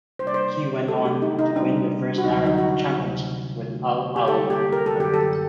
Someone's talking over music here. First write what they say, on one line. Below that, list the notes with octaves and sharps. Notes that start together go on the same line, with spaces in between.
He went on to win the first Arab championship with Al Ahly.
C3 G3 A#3 D4 C5
D5
C5
C3 D#3 F#3 A3 D4 A4
G4
D#4
D#4
C3 G3 C4 D4 D#4
F#4
D2 D3 F#3 D#4
D#4
F#4
D2 C3 F#3
D3 A3 D#4 F#4
G4
F#2 D3 G3 A#3 A4
G4
A#4
A4
F#2 D3 F#3 G4
A4